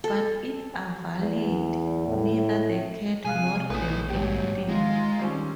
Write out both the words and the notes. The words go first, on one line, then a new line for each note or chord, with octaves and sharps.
But it availed neither the cat nor them anything.
A4
E2
A2
C3 G#4 F5 G#5 F#6
A#1 A2 B3 B4 C#5 D#6
D#2 G#2 F#3 G4
D#3 G#3 F4 A#5
G3 C4 C#4